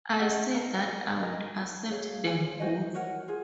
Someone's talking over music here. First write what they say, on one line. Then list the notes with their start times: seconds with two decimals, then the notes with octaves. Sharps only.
I said that I would accept them both.
0.19 C#4 G#4 D#5 F#5
0.53 D#4 A#4 F5 A#5
0.88 F#4 A#4 C#5 G#5
1.22 A#4 D#5 A#5
1.56 D#4 F#4 C#5
1.90 G#4 C#5 F5
2.25 F4 G#4 C#5 G#5
2.60 F#4 C5 D#5 G#5
2.94 F#4 A#4 C#5 F#5
3.28 F4 G#4